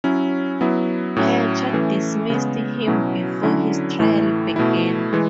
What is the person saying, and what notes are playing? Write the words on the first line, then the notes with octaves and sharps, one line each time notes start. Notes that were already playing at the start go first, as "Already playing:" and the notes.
Hatcher dismissed him before his trial began.
F#3 C#4 E4
F#3 B3 E4
A2 F#3 C#4 E4
E3 A3 C#4
C#3 G#3 B3
B2 F#3 C#4 E4
D3 F#3 C#4 E4
A2 E3 A3 E4
B2 A3 E4
E3 G#3